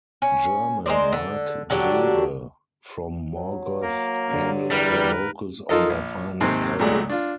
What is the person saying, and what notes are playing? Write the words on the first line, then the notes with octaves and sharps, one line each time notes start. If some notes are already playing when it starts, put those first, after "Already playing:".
German Marc Grewe, from Morgoth handled the vocals on their final album.
C#4
G#3 A#4 C5 D5
D3
D3 F#3 D4 G4
F#3
A#3 A#4
G2 D3 D4
E2 G3 A#4 B4
F3 D#4 F4 A4 A#4 D#5
A#1
D#2 G#2 C3 C4
G#1 A#2 F#3 G#3 A3 D5
D4 F4